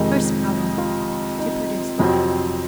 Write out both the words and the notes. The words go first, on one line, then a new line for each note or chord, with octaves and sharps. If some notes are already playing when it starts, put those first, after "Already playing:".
First problem: To produce wealth.
Already playing: F2 C3 D#3 G#3 D#4
F4
D#4
F2 C3 F#3 C4